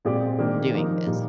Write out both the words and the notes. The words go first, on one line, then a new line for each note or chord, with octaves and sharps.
doing this.
A#2 G#3 C4 G4 D5
G#2 D#3 A#3 D4 G4
F3 A#3 D#4 A#4
A#2 G3